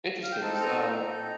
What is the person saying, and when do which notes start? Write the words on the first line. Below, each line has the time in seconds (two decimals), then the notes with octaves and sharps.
Interesting, is, um,
0.23 F5
0.32 G5
0.41 C4 D#4 A4 A5
0.61 A#5
0.79 A#5
0.98 C4 D#4 A4